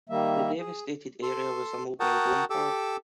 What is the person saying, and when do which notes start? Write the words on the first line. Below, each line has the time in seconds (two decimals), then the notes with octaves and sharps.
The devastated area was a mobile home park.
0.09 D#3 G3 A#3 E5
0.59 G#4
1.23 A4 C6
2.00 F#4 A#4 F#5 G5 A5 D#6
2.50 G4 A4 D6 E6